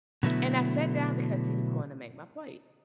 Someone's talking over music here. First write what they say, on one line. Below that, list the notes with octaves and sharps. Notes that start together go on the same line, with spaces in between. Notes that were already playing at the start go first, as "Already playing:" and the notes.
and I sat down because he was going to make my plate,
B2 D3 F#3 A3 B3 E4